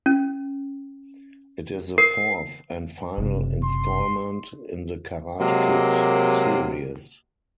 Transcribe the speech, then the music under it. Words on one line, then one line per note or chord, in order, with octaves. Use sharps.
It is the fourth and final installment in "The Karate Kid" series.
C#4
A#4 C7
F#1 C3
C6
C3 F#3 G#3 A#3